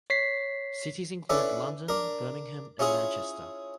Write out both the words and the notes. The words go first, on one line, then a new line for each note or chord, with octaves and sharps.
Cities include London, Birmingham, and Manchester.
C#5 B6 C7
C#4 D4 E4 A4 B4
D4 A#4
C#4 E4 F4 G#4 C#5